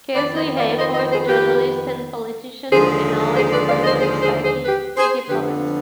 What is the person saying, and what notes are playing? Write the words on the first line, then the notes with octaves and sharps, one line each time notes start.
Casely Hayford, journalist and politician; and Alex Quaison-Sackey, diplomat.
F2 D#3 B3 B4 D5
C5 D#5
D5 F5
C5 D#5
C5 D#5
G#4 C5
G4 B4
D#2 D3 F3 G#3 G#4 C5
G#4 C5
B4 D5
D5 F5
C5 D#5
G#4 C5
G#4 C5
G#4 C5
G4 B4
G#4 C5
F2 D3 F3 B3 G4 B4